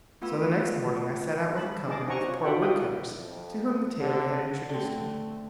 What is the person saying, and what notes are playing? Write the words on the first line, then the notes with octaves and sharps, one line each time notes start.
So the next morning I set out with a company of poor wood-cutters, to whom the tailor had introduced me.
A3 B3 F4 F#5 B5 E6
A5 B5
D4 G#4 D#5 A5 D6
D#4 C5 F#5 G#5 A#5 C#6
F4 C#5
F4 F#4 D5 E5 F#5 G5
E4 F#4 E5 G5 D#6
F2
D3
D3 A3 C4